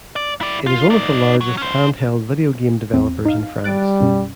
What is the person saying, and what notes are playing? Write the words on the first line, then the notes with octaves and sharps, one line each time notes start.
It is one of the largest handheld video game developers in France.
D5
E4 D5
F4
D#4 D5
F#3
C#4 C5
E2 C4
D#4 F5
G3 F#6 A6 D7
F#2 B2 C#4